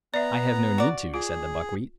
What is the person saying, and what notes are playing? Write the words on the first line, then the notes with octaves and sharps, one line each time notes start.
"I have no need to," said the buckwheat.
B3 D5 E5 A#5
F#4 D5
F4 G#4